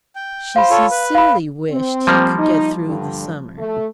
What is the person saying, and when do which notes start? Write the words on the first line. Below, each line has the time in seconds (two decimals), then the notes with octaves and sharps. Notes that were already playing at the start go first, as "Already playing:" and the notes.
She sincerely wished he could get through the summer.
0.15 G5
0.56 C5 F5 B5
0.70 F4 A4 C#5
0.91 B4
1.15 F5 B5
1.71 C4
2.07 F3 G3 A#3
2.39 D#4
2.87 G2 D3
3.59 A3